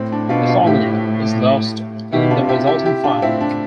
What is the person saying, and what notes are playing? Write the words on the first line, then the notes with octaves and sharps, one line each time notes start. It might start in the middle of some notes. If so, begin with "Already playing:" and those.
The formula is lost in the resulting fire.
Already playing: A2 C4
D4
B2 D4 F4
D4 F4
A2 E4 G4
B2 E4 G4
D4 F4
C3 E4 G4
E4 G4
E4 G4
D4 F4
A2 C4 E4
D4